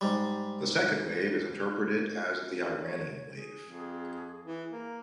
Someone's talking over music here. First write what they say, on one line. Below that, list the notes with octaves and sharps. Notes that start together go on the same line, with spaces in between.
The second wave is interpreted as the Iranian wave.
G#2 G3
C#5
G#4
F2
E3
A#3